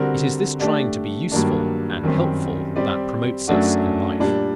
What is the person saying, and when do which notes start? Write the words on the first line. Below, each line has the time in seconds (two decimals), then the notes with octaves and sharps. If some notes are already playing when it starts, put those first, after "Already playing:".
It is this trying to be useful and helpful that promotes us in life.
Already playing: D3 G3 C4 F#4 A#4
0.60 A3 D4 G4 D5
1.32 G2 D#3 F#3 A#3 D4
2.03 F#2 D#3 G3 C4 G4
2.76 G3 C4 G4 D5
3.48 F#2 F#3 A3 D4 F#4
4.20 A#2 G3 D4